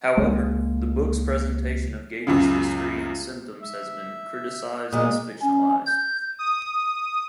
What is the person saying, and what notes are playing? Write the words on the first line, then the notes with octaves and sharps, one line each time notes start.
However, the book's presentation of Gage's history and symptoms has been criticized as fictionalized.
C#2 G#3 A#3
C#2 F#2 C#3
E5
A#2 G#3 D#6
C#4
G6
D#6